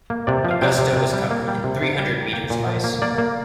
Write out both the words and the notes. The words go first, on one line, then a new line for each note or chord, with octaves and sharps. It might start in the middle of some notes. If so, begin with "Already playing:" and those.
Augusta was covered in three hundred meters of ice.
A#3
C3 D5
F3
F5
C3 G5
C3
C3
G3
A#3
G3
C3
C3
G3
G3
A#5
A#3 G5
A#2
F3
A#3
A#3 D5
A#3